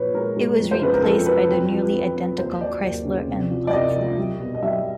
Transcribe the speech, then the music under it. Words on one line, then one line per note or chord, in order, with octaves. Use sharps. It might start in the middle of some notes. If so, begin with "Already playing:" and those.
It was replaced by the nearly identical Chrysler M platform.
Already playing: A#2 F3 B4 C#5
G#3 A#4
G#3
F2
C5
C#3 B4
A#4
F2 A4
F#3 B4
C4
F3
C4
C4
D#2 C5
F#3 D5
D#2
C#3
C3
F3
D5
C2 D#5
F3
G3
B2
D#5
G3 E5